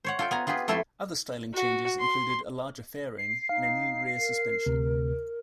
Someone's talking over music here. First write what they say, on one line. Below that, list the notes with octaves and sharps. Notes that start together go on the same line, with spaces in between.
Other styling changes included a larger fairing and a new rear suspension.
C5 C#5 F#5
F4 A4 G5
B3 G#5 A#5
B3 F4 G4 G#4 B4
F2 A3 E4 A4 C5 A5
F#4
C6
C7
D#4 F5
A#4
D2 C3